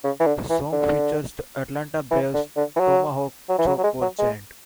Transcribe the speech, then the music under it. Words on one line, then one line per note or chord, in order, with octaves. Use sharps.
The song features the Atlanta Braves Tomahawk Chop War Chant.
C#3
E3
D3
E3
D3
E3
D3
D3
E3
F#3
F#3
E3
F#3
F#3
G#3
F#3
G#3